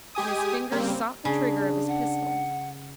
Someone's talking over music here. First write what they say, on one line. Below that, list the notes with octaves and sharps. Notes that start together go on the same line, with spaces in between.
And his finger sought the trigger of his pistol.
G#3 G4 G#5 D#6
C#3 G3 A#3 C4
C#3 D4 G#4
F#5